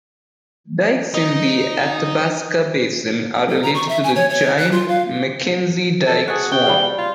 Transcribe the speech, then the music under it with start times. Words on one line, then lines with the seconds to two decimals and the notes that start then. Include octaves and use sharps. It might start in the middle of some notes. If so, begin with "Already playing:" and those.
Dikes in the Athabasca Basin are related to the giant Mackenzie dike swarm.
1.14 D#4
3.49 A4
3.63 A#5
3.75 C#6
3.89 E5
4.04 G#5
4.16 C#5
4.29 C#5
4.58 F#6
4.72 F4
4.88 F5
6.07 A4
6.28 F#4 G#4 F#5
6.52 F#4 G5
6.66 G3 F5
6.98 F4